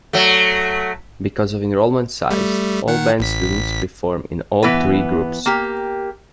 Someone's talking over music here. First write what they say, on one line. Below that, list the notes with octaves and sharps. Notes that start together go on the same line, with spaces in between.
Because of enrollment size, all band students perform in all three groups.
F#3 A3
G3 A3
D#3 F#5
A1 B6
E3 B3 B4
A#3 G4